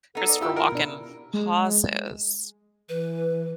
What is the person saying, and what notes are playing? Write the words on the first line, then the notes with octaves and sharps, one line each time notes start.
Christopher Walken pauses,
B3 D#4 A4
D5
E4 F4 G4 B5 E6
A#4
B2 D4
G#3
E3 B4